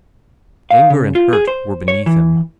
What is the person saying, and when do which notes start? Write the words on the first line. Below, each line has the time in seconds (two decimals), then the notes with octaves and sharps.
Anger and hurt were beneath him.
0.71 F5
0.90 C#3
1.15 F4
1.33 G#4
1.47 C5
1.88 C#5
2.06 E3